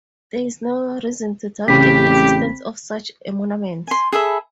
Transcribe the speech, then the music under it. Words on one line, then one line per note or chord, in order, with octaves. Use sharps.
There is no reason to doubt the existence of such a monument.
A1 C#3 C4 G4 B5 B6
G#5 C6
G#4 A4 E5 B5